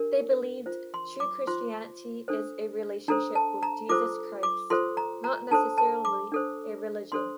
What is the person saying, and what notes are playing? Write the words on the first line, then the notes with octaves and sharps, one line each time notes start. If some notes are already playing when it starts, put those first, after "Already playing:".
They believe true Christianity is a relationship with Jesus Christ, not necessarily a religion.
Already playing: D4 G4 A#4
F4 C5
C6
D6
F4 C5 C6
D4 A4 C5
D4 A4 C5 A#5
A5
A#5
F4 A4 C5 D6
D6
F4 A4 C5 C6
A#5
A#5
D4 A4 C5 A5
A5
D6
D4 A4 C5
D4 A4 C5 C6